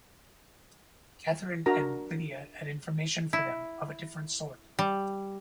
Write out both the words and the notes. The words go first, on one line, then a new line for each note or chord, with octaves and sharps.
Catherine and Lydia had information for them of a different sort.
D4 F#4 A#4 A#5
E4
G3